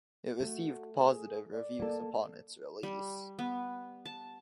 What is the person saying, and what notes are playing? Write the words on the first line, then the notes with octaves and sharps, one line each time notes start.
It received positive reviews upon its release.
A3 F#4
G#4
D5
A#3 A4
G3
B3
A5